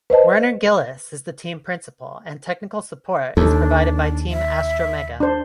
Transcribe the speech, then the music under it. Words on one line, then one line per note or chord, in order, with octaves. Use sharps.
Werner Gillis is the team principal, and technical support is provided by Team Astromega.
B4 C5 D#5 A5
D#2 D4 A4
E5
D4 C5